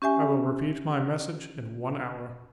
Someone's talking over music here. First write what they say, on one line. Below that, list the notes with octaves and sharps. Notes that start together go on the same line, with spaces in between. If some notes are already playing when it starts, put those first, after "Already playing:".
I will repeat my message in one hour.
C#4 G4 E5 G#5